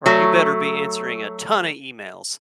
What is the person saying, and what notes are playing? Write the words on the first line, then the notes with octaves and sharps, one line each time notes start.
"Or you better be answering a ton of emails.
F#3 A3